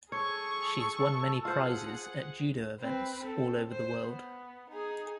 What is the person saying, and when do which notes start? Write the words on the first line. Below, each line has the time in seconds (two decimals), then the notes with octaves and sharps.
She has won many prizes at Judo events all over the world.
0.12 G#4 A4 C#5 C#6
1.45 F4 G#4 C5 F#5
2.80 C4 B4
3.23 C4 A4
3.71 C5
4.00 B3
4.70 D#4 G#4